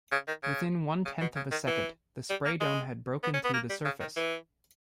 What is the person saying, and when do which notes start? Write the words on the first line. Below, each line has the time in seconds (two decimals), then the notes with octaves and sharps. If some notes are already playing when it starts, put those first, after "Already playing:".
Within one-tenth of a second, the spray dome had broken through the surface.
0.12 C#3
0.27 D#3
0.43 C#3
1.05 C#3
1.21 B2
1.36 C#3
1.51 D#3
1.68 E3
2.30 G3
2.45 A#3
2.61 G#3
3.24 B3
3.34 C#4
3.44 B3
3.54 A#3
3.70 G3
3.85 C#3
4.00 D#3
4.16 E3